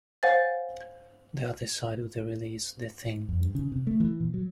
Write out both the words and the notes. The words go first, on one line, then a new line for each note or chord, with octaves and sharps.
The other side of the release, "The Thing".
C5 C#5 F5 F#5 G#5 A6
F2
G2
C#3
C3
A3
E3
A#2
F#3